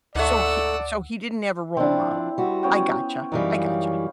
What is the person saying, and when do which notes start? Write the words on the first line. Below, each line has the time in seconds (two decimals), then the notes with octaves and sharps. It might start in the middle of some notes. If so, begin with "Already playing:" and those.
So he so he didn't have a role model. I gotcha, I gotcha.
0.15 D2 G#2 A3 D5 F#5 E6
1.77 F3 C4 D4 E4
2.38 G3 F#4
2.63 B3 C#4 G5
3.32 F#2 E3 G3 D#4 F5